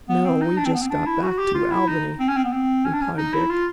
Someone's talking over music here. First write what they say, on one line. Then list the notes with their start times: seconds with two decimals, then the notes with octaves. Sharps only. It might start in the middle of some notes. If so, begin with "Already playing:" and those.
"No, we just got back to Albany," replied Dick.
0.09 B3
0.25 C4
0.42 D#4
0.58 D4
0.66 C4
0.74 B3
0.82 C4
0.90 D4
1.07 E4
1.22 F#4
1.39 G4
1.55 F4
1.71 E4
1.88 D#4
2.20 C4
2.29 C#4
2.37 C4
2.45 B3
2.53 C4
2.85 C#4
2.93 D4
3.01 C#4
3.17 D#4
3.34 E4
3.50 F4